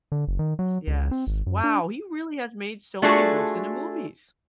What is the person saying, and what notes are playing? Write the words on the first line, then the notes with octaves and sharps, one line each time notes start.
yes, wow, he really has made so many books into movies.
D3
F#1
D#3
F#3
C#2
C4
G#1
F#2
D4
A3 D4 F4 F#4 G#4 A4